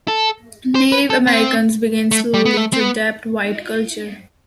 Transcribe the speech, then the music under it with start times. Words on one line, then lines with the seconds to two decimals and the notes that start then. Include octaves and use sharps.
Native Americans began slowly to adopt white culture.
0.08 A4
0.75 C5
0.92 B4
1.10 A4
1.27 C4
2.11 A3
2.34 G3
2.45 B3
2.57 A3
2.73 C4
2.80 B3